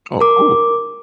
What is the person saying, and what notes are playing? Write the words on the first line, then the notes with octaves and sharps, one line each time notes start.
Oh, cool.
A#4 D6